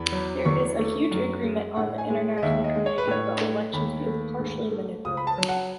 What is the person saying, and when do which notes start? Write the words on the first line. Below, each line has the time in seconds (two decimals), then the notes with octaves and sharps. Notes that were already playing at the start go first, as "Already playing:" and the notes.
There is a huge agreement on the international community about elections being “partially” manipulated.
Already playing: E2 B5
0.12 F#3
0.45 E2 C#6
0.79 A3
1.11 F#2
1.44 G#3
1.76 A2 F#5
1.98 G#5
2.10 G#3
2.38 D#5
2.43 D#2 E5
2.64 D#5
2.76 G#3
2.86 C#5
2.98 B4
3.07 A2 C#5
3.41 A3
3.73 D#2 B5
4.06 A3
4.40 G#2
4.71 A3
5.05 C#2 D#6
5.17 B5
5.27 A5
5.38 F#3
5.49 F#5